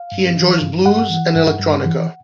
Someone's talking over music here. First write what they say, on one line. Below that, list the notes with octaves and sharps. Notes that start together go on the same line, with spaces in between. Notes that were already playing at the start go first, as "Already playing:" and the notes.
He enjoys blues and electronica.
Already playing: F5
G2
E3
G2
G2 F#5
E3
G2
G2
E3